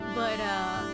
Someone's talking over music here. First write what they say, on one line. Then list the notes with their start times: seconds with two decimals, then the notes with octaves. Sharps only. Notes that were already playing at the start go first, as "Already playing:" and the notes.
But, uh
Already playing: A2 G3 D4 E4
0.76 A2 G3